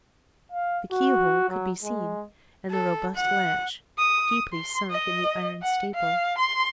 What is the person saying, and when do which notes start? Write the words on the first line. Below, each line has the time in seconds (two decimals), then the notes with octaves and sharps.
The keyhole could be seen, and the robust latch, deeply sunk in the iron staple.
0.52 F5
0.91 F#4
1.49 F#3
1.84 G#3
2.70 A4
3.15 F#5
3.98 D#6
4.53 C6
4.91 D#5
5.62 F#5
5.94 F5
6.39 C6